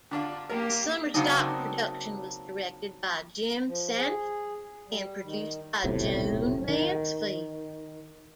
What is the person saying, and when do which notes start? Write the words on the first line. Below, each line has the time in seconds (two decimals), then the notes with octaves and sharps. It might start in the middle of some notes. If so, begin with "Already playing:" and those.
The Summerstock production was directed by Jim Senft and produced by Joan Mansfield.
0.11 D3 D4 F4
0.50 A#3 G4 A#4
1.14 C#3 F#3 A#3 C4 D4 D#4
3.67 F3
3.97 G#4
4.88 G3
5.24 D#3
5.84 D#1 B1 A2 C3
6.68 D#3